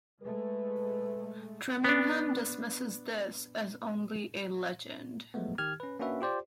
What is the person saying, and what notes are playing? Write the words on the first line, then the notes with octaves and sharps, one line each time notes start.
Trimingham dismisses this as only a legend.
G#3 A3 B4
B3 D4
F3 F#3 G#3 A3 B3
D#3 G4 F6 G#6
C#4 B4
A#3 C#4 D4 F#4 B4 E5
F4 G4 C5 D5